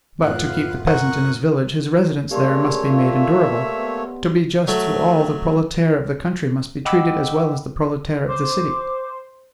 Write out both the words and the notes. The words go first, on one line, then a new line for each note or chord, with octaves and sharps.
But, to keep the peasant in his village, his residence there must be made endurable: to be just to all, the proletaire of the country must be treated as well as the proletaire of the city.
F#2 A2 F4 B4 F5 F#6
A#4 C5 F#5 C#6 D#6 F#6
C#3 A3 A#3 G4 C#5 D5 C6
F4 E5
B3
F#3 A3
D#5 F#5 G5 B5 D6 E6
C5 D6